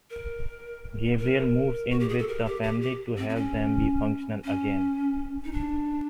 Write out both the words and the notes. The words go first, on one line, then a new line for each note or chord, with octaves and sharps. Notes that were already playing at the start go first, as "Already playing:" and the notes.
Gabriel moves in with the family to help them be functional again.
A#4
A#4
F#4
G4
G#4
A4
A#4
G4
G4
G4
C4
C4
C#4
C#4
D#4
D4